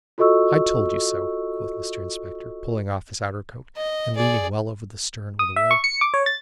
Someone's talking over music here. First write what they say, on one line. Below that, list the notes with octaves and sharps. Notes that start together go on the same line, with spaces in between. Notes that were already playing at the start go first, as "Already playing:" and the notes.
'I told you so,' quoth Mr Inspector, pulling off his outer coat, and leaning well over the stern with a will.
F4 F#4 A4 D#5 C#6 E6
D#5
G#4 D5
D#6
E5
C#6
C#7
D6
C#5
A6